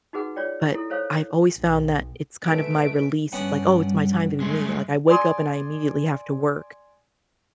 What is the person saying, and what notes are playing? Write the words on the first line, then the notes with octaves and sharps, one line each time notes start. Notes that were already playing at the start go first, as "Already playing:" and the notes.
but I've always found that it's kind of my release, it's like, "Oh, it's my time to be me." Like, I wake up and I immediately have to work,
D#4 F#4 G#4 B4 F#5
F4 C#5 D5 G5
E4 A4
A4 C5 C#5 F5
B1
B2 G#3 A3 B3 B4 E5 D7
G2 G3 B3 C#4 D4
G#3 A3
D5 G#5 C6 D#6